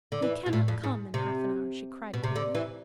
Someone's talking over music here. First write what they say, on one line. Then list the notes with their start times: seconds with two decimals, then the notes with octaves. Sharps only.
"He cannot come in half an hour," she cried quickly.
0.12 D3
0.22 E3
0.46 B2
0.53 A2
0.68 F2
0.84 G#2
1.14 C3
2.14 B2
2.24 C3
2.36 D3
2.55 E3